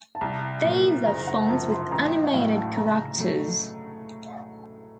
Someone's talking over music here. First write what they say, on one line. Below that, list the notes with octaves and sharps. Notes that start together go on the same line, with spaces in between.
These are fonts with animated characters.
A5
C2 A#5
A#2 F#3
F#1 A#5
F#5
F#2 F3 A5
C6
A1 A#5
D#5
F#5
A2 F#3 F5
A5
C#3 A#5
F#3 A3